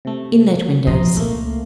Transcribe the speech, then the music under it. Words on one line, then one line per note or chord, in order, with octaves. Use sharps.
Inlet windows.
C3 A3
A#2 F3 A#5 C6 D#6
C#2 A3 A#3